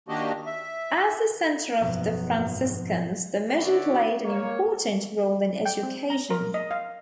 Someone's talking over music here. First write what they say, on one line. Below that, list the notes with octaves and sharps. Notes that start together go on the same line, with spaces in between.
As the center for the Franciscans, the Mission played an important role in education.
D#3 A#3 D4 F#4 G4 D#5
E5
F#1 G#2 B2 F3 F#3 B3
D3 E4 F#4 B4 C#5 D5
A#3 C#5
G5
C4
A#5
A#4
D#5
F5